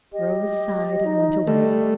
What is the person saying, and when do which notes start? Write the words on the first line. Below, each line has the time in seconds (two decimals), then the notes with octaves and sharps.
Rose sighed, and went away.
0.14 G4 D#5
1.05 D#4
1.47 G3 A3